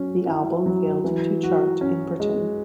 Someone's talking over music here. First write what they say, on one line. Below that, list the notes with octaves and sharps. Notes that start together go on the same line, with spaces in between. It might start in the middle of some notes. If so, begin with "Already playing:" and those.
The album failed to chart in Britain.
Already playing: F#3 C#4
E4
F#3
E3
F#4
C#4
G#3